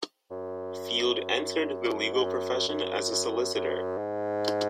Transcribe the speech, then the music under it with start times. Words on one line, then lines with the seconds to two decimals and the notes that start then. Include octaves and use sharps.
Field entered the legal profession as a solicitor.
0.30 F#2
2.13 G#2
2.25 F#2
2.68 F#2
3.12 F#2
3.54 F#2
3.98 G#2